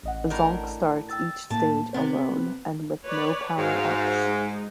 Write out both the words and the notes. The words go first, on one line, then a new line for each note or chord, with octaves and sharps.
Zonk starts each stage alone and with no powerups.
A1 D#5 F#5
A2 D4 A#4
G5 E6 A6
A2 A#3 A5
C3 B3 C4
B4 C#5 D5
G#2 F#4 C5 F5
G#3 D#4